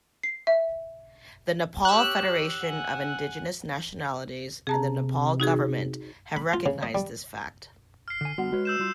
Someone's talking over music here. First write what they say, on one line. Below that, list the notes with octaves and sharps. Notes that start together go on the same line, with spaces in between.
The Nepal Federation of Indigenous Nationalities and the Nepal government have recognised this fact.
C7
E5
G4 C#5 E6 F#6
F#5 G#5
C3 G#4 A5 A#5
D#4 F#4 G#4
B5
F4
C#3
D#5
G3
F6 C7
D3 G#5
D3 G3 B3 F#4 F#5
G#3 F#4 B4 C#5
E6 G6 E7
G3 F4